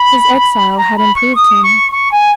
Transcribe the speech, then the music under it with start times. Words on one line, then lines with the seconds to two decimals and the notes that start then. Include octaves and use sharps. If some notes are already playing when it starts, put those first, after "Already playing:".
His exile had improved him.
Already playing: B5
0.77 A#5
0.96 B5
1.15 C#6
1.35 D#6
1.63 C#6
1.92 C#6
2.11 G#5